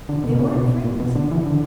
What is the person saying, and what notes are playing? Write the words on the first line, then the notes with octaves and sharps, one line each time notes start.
They weren't friends.
D3
B2
B2
C#3
B2
A#2
B2
D3
E3
D3